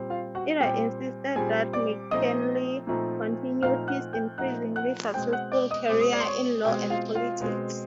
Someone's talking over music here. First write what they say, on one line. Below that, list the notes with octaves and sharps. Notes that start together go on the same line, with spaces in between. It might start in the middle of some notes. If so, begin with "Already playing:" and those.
Ida insisted that McKinley continue his increasingly successful career in law and politics.
Already playing: A#2 G3 C4
F4 F5
F#4 F#5
A#2 G3 C4 G4 G5
A#2 G3 C4 G#4 G#5
D5 D6
A#2 F3 A3 C4 D#4 D#5 D#6
A#2 F3 A3 C4 D#4
A#2 F3 A3 C4 D#4 F5 F6
F#5 F#6
G5 G6
A#2 F3 A3 C4 D#4 F#5 F#6
F#5 F#6
B2 G#3 C4 G5 G6
F#5 F#6
D5 D6
D#5 D#6
B2 G#3 C4 D6
D#6
D5 D6
C6
C#5 C#6
B2 G#3 C4 G4 G5
F4 F5
F4 F5
B2 G#3 C4